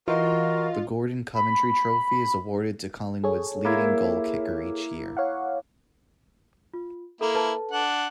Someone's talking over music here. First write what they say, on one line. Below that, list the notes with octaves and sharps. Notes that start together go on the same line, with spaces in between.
The Gordon Coventry Trophy is awarded to Collingwood's leading goal kicker each year.
E3 F4 F#4 A#4 D#5
B5
G#4 A4 C#5
A#3 E4
C#5 F5 F#5
F4
A#3 E4 A4
A4 B4 A5
D4 F#5